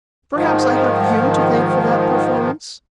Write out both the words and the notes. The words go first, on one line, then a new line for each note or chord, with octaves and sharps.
Perhaps I have you to thank for that performance?
G#2 D#3 F3